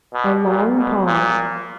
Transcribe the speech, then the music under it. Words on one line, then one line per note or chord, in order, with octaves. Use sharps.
A long pause.
B2
A#2
B2
A#2